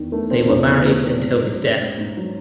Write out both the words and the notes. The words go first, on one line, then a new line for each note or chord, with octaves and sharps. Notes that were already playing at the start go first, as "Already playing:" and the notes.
They were married until his death.
Already playing: E2 D#3
A3
C4
E2
D#3
A3
C4
G#2
F#3
C#4
G#2
G#2
F#3